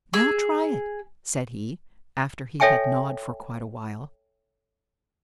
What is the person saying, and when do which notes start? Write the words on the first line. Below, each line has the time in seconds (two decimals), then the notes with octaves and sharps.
"Now try it," said he, after he had gnawed for quite a while.
0.14 G#4 E6
2.60 A4 C#5 E5 G5 G#5 C#6